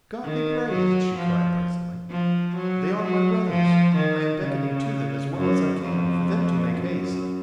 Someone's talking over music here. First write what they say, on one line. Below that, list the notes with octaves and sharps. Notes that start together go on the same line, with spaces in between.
"God be praised," she cried presently, "they are my brothers; I am beckoning to them, as well as I can, for them to make haste."
D#3
F#3
F3
F3
F#3
F#3
F3
D#3
C#3
F#2
F2
F#2